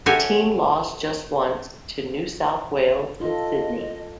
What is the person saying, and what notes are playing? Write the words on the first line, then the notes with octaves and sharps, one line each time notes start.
The team lost just once, to New South Wales in Sydney.
F#4 G4 A4 C#5 E5 G#5
F4 A4 D#5